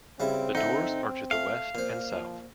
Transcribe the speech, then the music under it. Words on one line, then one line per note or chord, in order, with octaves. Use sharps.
The doors are to the west and south.
C#3 G3 C4 E4
D3 D#4 E5
A3 F5
A#2 C5
F3